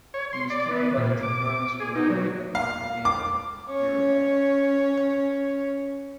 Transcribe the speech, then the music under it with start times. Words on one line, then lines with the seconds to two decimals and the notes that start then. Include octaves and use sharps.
He was killed by the Tupamaros guerilla in Montevideo, Uruguay.
0.14 C#5
0.33 C6
0.50 D5
0.71 B3
0.97 A#2
1.23 D6
1.80 G#4
1.95 D#4
2.10 F#3
2.55 F5
3.05 D6
3.69 C#4 C#5